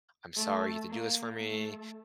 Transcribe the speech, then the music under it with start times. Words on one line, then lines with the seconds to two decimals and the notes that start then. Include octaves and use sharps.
"I'm sorry you have to do this for me."
0.36 A3
0.89 A#3
1.42 A3